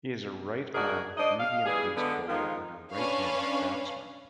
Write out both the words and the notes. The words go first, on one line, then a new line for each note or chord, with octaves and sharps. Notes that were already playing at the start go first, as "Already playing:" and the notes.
He is a right-arm medium-pace bowler and a right-handed batsman.
D4 D#4 F#4 G#4 A#4
D4 C5 D#5
F5
E3 G3 G#4
D3 G#3 B3
D#3 F3 G#3 D#4 F4
C#4 D4 B4 C#5 F5